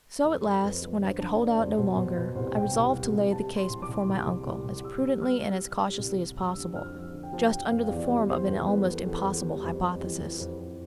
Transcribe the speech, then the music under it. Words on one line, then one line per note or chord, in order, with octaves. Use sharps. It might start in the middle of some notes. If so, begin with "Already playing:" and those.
So, at last, when I could hold out no longer, I resolved to lay the case before my uncle, as prudently and as cautiously as possible, just under the form of an almost impossible hypothesis.
F2 A4
F2
F2 B4
F3
D3 C5
D3 A5
D3 D5
F2 C5
B2 C5
B2 C5
B2 B4
C2 C5
B2 G5
C2
G3
C2
C3 A5
G3
C6
C2
D6
C2
C2
C2
C2
C2
G3 E6
G3
G3 F6
G3
G3
G3
C2
G3
F2 E6
D3
F2 F6
F3
D3
G5
F3 A5
F3 G5
G5
F2 F5
E2 D5
G3
E2 C5
E2
E2 B4
E2
A4
E2
B4
E2
G3
F2
F2
E3
E3
F2
F2